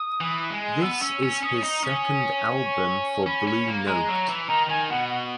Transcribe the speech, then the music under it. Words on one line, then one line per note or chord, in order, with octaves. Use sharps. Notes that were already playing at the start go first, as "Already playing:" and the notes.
This is his second album for Blue Note.
Already playing: D#6
E3
G#3
B3 E6
C#4 E6
C#4
C#4 D#6
D#4
C#4
C#6
C#4 B5
C#4
A#3
G#3 A#5
F#3
E3
D#3 A#5
D#3 G#5
B2 F#5
F#5